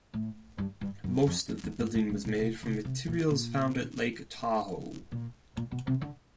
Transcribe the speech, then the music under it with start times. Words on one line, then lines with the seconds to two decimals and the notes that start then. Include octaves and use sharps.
Most of the building was made from materials found at Lake Tahoe.
0.14 A2
0.58 G2
0.81 G2
1.04 F#2
1.27 F2
1.49 F2
1.64 E2
1.79 G#2
1.94 A2
2.09 A2
2.25 A#2
2.40 B2
2.63 C3
2.85 C3
3.08 A#2
3.30 A#2
5.12 A#2
5.57 A#2
5.71 B2
5.87 C3
6.01 D3